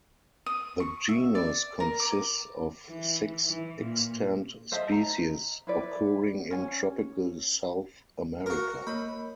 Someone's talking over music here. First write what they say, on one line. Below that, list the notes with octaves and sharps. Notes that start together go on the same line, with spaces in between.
The genus consists of six extant species occurring in tropical South America.
D#6
C#6
E5
D5
A#4
D6
E3
E3
A#2
C5 D#5 E5 A5
A#5
E4 B4 D5
C#4 G#5
F#4 A#4
A#3 A#4 C#5 B5